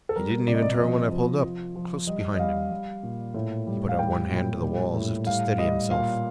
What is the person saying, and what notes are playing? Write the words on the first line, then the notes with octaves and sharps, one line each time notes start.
He didn't even turn when I pulled up, close behind him; he put out one hand to the wall, as if to steady himself.
A4
G3 A#4
C3 D5
D#5
D5
D5
F3 D#5
F3
F3
F3
G3 D#5
D#5
G3 F5
G3
A#2
A2
G3
F5
G3 G5
A#2
G3
A2
G3 F5
G3 D#5
A#2 F5